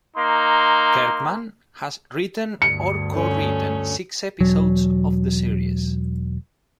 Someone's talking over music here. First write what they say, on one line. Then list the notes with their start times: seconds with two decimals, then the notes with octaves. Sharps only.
Kirkman has written or co-written six episodes of the series.
0.17 A#3 D#4 C6
2.62 D2 G2 C#7
3.12 A3 C#4
4.40 E1 F#3